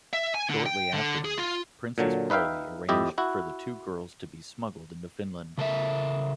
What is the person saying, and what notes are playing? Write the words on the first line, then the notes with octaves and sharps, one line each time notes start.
Shortly afterwards, Princess Paley arranged for the two girls to be smuggled into Finland.
E5
G#5
D3
G5
D3
G#4
F4
A#2 D3 F#3
D#4 B4 E5 F5 G5
F2 E4 G4 D#5
E4 F#4
C#3 A4 A#4 E5